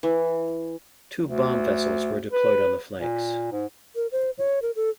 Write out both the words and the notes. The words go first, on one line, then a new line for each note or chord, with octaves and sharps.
Two bomb-vessels were deployed on the flanks.
E3
D2
B4
A#2
G#2
A#4
C5
C#5
A#4
A4